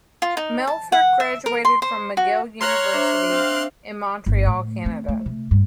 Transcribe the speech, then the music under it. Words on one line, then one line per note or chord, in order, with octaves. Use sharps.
Melford graduated from McGill University in Montreal, Canada.
F4
D#4
A5
F#5
E5
A#4
C6
C5
F#4
C#5 A#5 C6 F6 F#6
D4 C5 E5
C4 F5
G1
A2
C4
A3
C3
G2